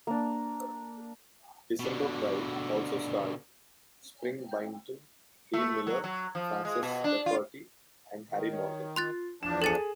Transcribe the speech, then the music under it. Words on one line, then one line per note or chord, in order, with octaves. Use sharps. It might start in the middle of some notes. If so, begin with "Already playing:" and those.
"December Bride" also starred Spring Byington, Dean Miller, Frances Rafferty, and Harry Morgan.
A#3 D4
B2 D3
A3
F#3
F#3
F3
G#3
B2
D4
F4
D#3
C#5
F4 C6 F#6 A6
E2 F3 D4 A5 E7
G#4 A4 A6 C#7 D#7 F#7